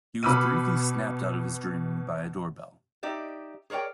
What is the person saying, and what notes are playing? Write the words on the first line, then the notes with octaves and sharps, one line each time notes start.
He was briefly snapped out of his dreaming by a door bell.
B2 B5 D6 E6 F6 D#7
D#4 G4 D5 E5
G#4 A#4 C#5 D5 G5